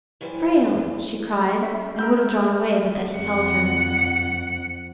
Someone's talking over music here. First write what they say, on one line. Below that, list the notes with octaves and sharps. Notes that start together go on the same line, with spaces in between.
"Frale!" she cried, and would have drawn away but that he held her.
F#2 E3 G3 C5
C#4 A4 E5
A#4 G5 B5 E6 G6
F2 F#5